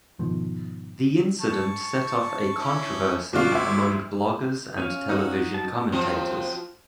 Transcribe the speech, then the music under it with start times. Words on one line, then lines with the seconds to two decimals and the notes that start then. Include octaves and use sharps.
The incident set off a controversy among bloggers and television commentators.
0.19 G#2 B2 D#3 F3
1.40 A5 C#6
2.59 C#4 D4 E4
3.33 B2 D3 F4 F#4 D6
3.52 D2 E5
4.78 C#4 F5
5.09 D#4 F#4
5.54 A5
5.92 F3 F#3 C4 F4